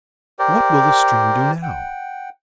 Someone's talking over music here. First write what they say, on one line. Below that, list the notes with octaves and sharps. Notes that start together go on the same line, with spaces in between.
What will the stream do now?
G4 A#4 C5 D5
F#5 G5